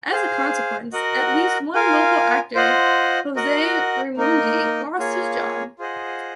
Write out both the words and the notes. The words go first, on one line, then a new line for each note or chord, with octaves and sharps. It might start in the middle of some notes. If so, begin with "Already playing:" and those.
As a consequence, at least one local actor, Jose Reymundi, lost his job.
G#4 C5 F5
F#4 A#4 D#5 F#5
F4 A#4 F5 G#5
F4 C5 D#5 F#5
F#4 A#4 D#5 F#5
A#3 D#4 A#4 D#5
A#3 F4 G#4 C#5
F4 G#4 C5 D#5 F#5